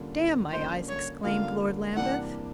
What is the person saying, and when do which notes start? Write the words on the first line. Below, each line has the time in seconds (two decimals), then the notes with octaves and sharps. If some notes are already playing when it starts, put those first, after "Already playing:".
"Damn my eyes!" exclaimed Lord Lambeth.
Already playing: D3 G3 A#3 C#4 F4
0.51 D3 G3 A#3 C#4 F4 C5
0.88 C#5
1.24 D3 G3 A#3 C#4 F4 F5
1.96 C3 E3 G3 A#3 D4 F#5